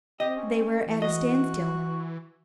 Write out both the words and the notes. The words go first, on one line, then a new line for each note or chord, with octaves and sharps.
They were at a standstill.
C4 G4 D#5
C#4
E3
F#4 D#5